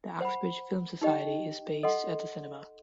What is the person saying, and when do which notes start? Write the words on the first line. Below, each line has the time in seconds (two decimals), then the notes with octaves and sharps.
The "Axbridge Film Society" is based at the cinema.
0.21 C5 F#5 B5
1.02 D#4 G4 D#5 G5
1.83 A4 D#5 F#5 C6